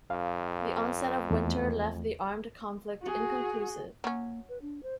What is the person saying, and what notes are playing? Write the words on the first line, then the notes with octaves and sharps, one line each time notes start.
The onset of winter left the armed conflict inconclusive.
F2 F5
E2 A3
F#4 G#4
F#3 A#3 C#4
B4
D4
C5